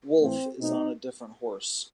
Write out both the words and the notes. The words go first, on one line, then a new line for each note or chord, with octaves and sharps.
Woolf is on a different horse.
A2 E3 A3 C4
B2 A3 C4 D#4